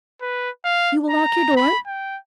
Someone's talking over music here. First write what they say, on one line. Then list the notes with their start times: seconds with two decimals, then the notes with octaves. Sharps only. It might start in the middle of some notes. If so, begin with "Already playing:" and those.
You will lock your door?'
0.21 B4
0.65 F5
1.09 A#5
1.56 B5
1.87 G5